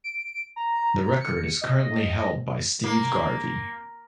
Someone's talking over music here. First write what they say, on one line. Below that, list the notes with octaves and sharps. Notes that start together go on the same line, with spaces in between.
The record is currently held by Steve Garvey.
D7
A#5
C#7
D#5
A#3